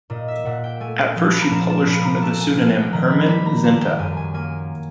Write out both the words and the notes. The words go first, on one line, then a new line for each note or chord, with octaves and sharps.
At first she published under the pseudonym Hermann Zenta.
A#2 D#5
E5
A#2 F#5
G5
A3 G#5
F3
B5
A#5
A#2 A5
A5
A#2 B5
A#5
A3 A5
G#5
F3 F#5
G#5
G5
D#3 A#5
B5
G3 B5
A#5
G3 A5
G5
F#2 G#5
G#5
A#3 G#5